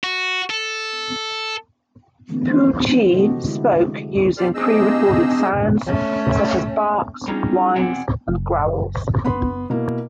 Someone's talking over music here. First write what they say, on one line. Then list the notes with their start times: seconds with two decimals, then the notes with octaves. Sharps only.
Poo-Chi spoke using prerecorded sounds such as barks, whines, and growls.
0.04 F#4
0.50 A4
2.29 D3 E3 A3 B3 C4
2.46 E3 F3 D#4 G4 C5
3.13 C3 C4 F#4 G4 A4 D#5
3.46 D3 G#3 E4
3.79 G#3
4.37 G4 A4 C5 D5 F6
4.54 C3 F3 D#4 G#4 D#5 E6
5.86 A3 C#4
7.28 G3 C#4 D#4 F4 G#4 A#5
7.75 E2 B2 C4 D5 F#5 G#5
8.28 F#1
9.24 B3 B5 C6
9.70 B2 A#3 E4